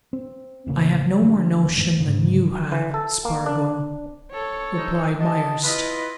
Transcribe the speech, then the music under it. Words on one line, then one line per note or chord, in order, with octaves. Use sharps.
"I have no more notion than you have, Spargo," replied Myerst.
C4
E1 A1 C#3 A#3
D3 D#3 F3 F#3
D#1
D#1 G2 D#3 A3
G#2 C#3
E3
A4
A#3
D4
A4 C#5
G#3 C4 D#4
G4 D#5 A5
E4 F4 B4 D#5